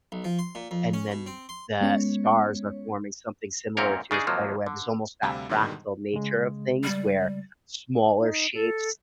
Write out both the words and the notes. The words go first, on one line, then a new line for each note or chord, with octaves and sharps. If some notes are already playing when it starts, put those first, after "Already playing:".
and then the stars are forming something similar to a spiderweb. There's almost that fractal nature of things where smaller shapes
B1
F3
C6
A#2
F2
C#4
B2
C4
C6
G#3 B3 C#4 C#5
F#2 A#2 C4 C#4 A#4 C#5
C#3 D4 D#4 G#4
D#2 C3 F3 F#3 A#3
D3
D2 C3 G3 F5 B5 E6
G#2 B2 D3 D#3 G3 G#3
C#3 G#3
G3
D#4
A4